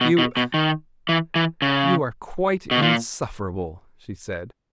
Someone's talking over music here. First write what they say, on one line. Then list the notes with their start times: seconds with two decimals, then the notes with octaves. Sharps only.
"You... you are quite insufferable," she said.
0.01 B2
0.18 B2
0.37 B2
0.54 D#3
1.09 E3
1.35 E3
1.62 C#3
2.71 B2
2.82 A#2